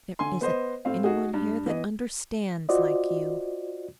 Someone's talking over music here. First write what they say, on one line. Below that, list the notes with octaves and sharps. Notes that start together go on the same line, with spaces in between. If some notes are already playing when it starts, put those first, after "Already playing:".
There isn't any one here that UNDERSTANDS--like you.
D3 G#5 C6
B3 B4 C5 D#5
A2 C4 F5
D#4 F#4 G#4
G2
E3 B3 D#5
F4 F#4 C5 D5 D#5